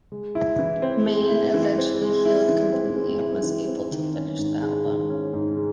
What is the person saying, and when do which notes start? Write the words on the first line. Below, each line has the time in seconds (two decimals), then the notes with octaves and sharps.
Meine eventually healed completely and was able to finish the album.
0.12 G#3
0.35 E4
0.59 E3
0.82 C4
1.06 G#3
1.30 E4
1.54 E3
1.78 C4
2.02 G#3
2.25 E4
2.49 E3
2.72 C4
2.96 G#3
3.20 E4
3.43 E3
3.67 C4
3.91 D#3
4.14 C#4
4.39 G#2
4.62 G#3
4.85 D#3
5.09 C#4
5.33 G#2
5.57 G#3